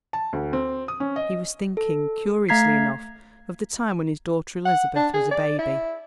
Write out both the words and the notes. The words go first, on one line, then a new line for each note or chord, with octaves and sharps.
He was thinking, curiously enough, of the time when his daughter Elizabeth was a baby.
A5
D2
C4
D#6
C#4
D#5
A4
A3 F5 A#5 G#6 B6 C7
F#5
D4
G#4
D5
E4